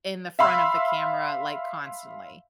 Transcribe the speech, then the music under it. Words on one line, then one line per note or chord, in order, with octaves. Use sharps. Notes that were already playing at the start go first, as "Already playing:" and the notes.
in the front of the camera, like, constantly,
E5 F5 B5 C6 E6